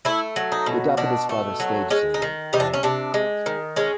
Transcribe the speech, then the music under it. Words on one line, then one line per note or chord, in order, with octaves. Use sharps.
He adopted his father's stage surname, Wayne.
A3 E4
F#3
D#4
B2
B2 D4
A3
F#3
G#3 C#4
D#4
D#3
C3 D#4
D4
C#4
C3 D4
G#3
D#3
G#3 C#4